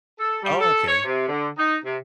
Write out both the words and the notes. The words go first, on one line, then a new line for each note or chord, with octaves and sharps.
Oh, okay.
A4
G3
A4
C#5
C3
D3
D#4
C3